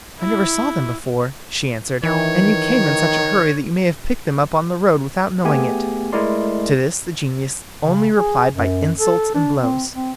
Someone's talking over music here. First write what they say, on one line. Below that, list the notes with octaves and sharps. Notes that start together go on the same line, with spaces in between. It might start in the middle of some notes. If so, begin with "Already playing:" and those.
"I never saw them before," she answered, "and you came in such a hurry that you may have picked them up on the road without knowing it." To this the genius only replied by insults and blows.
E4
D#3 E3 C#5
A3 B3 G4 G#4 G#5
G#3 A3 E4 A#4 D5 C6
C#3
G#4
F#2
A4
D4
C4
C4